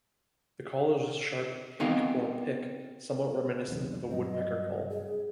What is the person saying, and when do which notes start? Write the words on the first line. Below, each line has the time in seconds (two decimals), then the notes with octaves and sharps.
The call is a sharp "pink" or "pick", somewhat reminiscent of a woodpecker call.
1.80 B3 C4 D#4 G4 D#5 F5
3.68 E1 B1 E2 C4
4.11 G2 F#3 C4 D#5
4.90 G#4